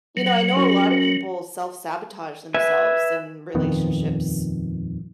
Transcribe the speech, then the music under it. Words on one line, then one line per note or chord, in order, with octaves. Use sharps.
you know, I know a lot of people self-sabotage themselves in relationships
F#3
F#2
B4 E5 G#5
D#1 F2 D#3 B3